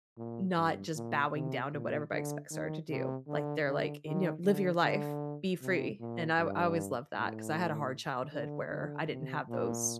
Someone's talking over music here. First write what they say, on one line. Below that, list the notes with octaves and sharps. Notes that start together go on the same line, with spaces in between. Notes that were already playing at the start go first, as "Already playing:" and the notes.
not just bowing down to what everybody expects her to do, like they're like, you know, "Live your life. Be free," and I I always loved that 'cause I had a hard childhood where I didn't have those
A#2
G2
A#2
C3
A#2
D3
D#3
C3
D3
D3
D#3
D3
D3
C3
A#2
G2
A2
D3
D3
C3
A#2